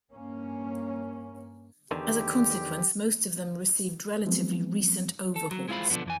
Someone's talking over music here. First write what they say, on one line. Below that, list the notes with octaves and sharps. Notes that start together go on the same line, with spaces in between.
As a consequence most of them received relatively recent overhauls.
G2 A#3 C#4
E2 D3 D#3 G4
F3 F#3 G#3 B3 C4
A4
F#3
G#3 E4 F4 C5 B5
B1 D3 F3 F#3 B3
F2 E3 G#5